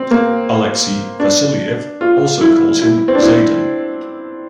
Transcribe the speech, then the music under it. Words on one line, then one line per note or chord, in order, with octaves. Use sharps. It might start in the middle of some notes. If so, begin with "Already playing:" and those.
Alexei Vassiliev also calls him Zaidan.
Already playing: C4
A#3
D4
F4
E4
E4
C4
D4
E4